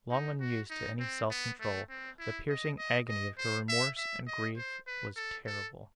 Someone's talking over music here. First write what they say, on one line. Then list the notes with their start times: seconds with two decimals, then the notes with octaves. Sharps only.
Long unused to any self-control, the piercing agony of her remorse and grief was terrible.
0.11 D#4
0.40 F#4
0.70 D#4
0.99 C4
1.30 B3
1.60 A3
1.89 C4
2.19 E4
2.49 D#5
2.78 D#5
3.08 D#5
3.38 C5
3.69 E5
3.97 E5
4.27 D#5
4.57 C5
4.87 B4
5.16 A4
5.46 A4